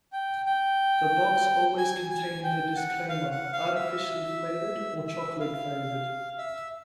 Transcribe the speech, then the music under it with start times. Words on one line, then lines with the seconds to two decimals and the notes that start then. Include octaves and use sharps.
The box always contained the disclaimer "artificially flavored" or "chocolate flavored".
0.12 G5
0.46 G5
1.78 G#5
2.10 G#5
2.44 G5
2.76 F#5
3.09 F5
3.31 F#5
3.53 F5
3.75 E5
5.07 E5
5.40 F5
6.38 E5